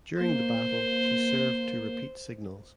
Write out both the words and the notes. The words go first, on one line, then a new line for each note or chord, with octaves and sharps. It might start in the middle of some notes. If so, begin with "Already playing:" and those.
During the battle she served to repeat signals.
A#3 C5